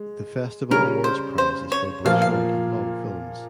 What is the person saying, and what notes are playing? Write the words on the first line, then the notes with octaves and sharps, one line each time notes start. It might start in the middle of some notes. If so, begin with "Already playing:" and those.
The festival awards prizes for both short and long films.
Already playing: G#3
C#3 G3 C#4 A#4
C5
C5
C#5
A#2 F3 A#3 F4 F5
F5